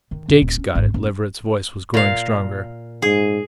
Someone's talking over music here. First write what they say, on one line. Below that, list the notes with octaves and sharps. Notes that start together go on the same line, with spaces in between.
"Jake's got it." Leverett's voice was growing stronger.
D#3
F#2
D#1
C#4
G#1
F#1
A#2 F5
G#2 G#4